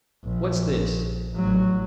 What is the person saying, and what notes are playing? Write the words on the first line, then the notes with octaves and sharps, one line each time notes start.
"What's this?"
A#1
A1 F#3